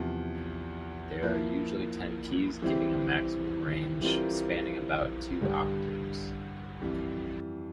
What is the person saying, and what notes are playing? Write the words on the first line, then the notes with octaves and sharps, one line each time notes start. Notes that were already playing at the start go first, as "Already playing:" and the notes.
There are usually ten keys, giving a maximum range spanning about two octaves.
Already playing: E2 C3 F3
F3 A#3 E4
E3 G3 C4 E4 G4
E3 G3 C4 F4 A#4
G2 D3 G3
F2 E3 G3